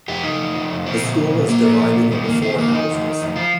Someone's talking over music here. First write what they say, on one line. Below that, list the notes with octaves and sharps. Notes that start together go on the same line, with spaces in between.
The school is divided into four houses.
F2 G4
F3 D#4
F2
F3
F2
F3 C4
A#2
F3
A#2
F3 A#3
A#2
F3
A#2
D#3 G3
F2 A#3
D#3 C4
F2 A#3
D#3 D#4
F2
D#3
F2
F3 F4